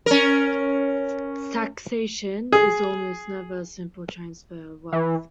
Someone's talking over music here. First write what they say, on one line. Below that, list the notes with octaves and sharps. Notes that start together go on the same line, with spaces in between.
Taxation is almost never a simple transfer of wealth.
C#4 A#4
G#4
E3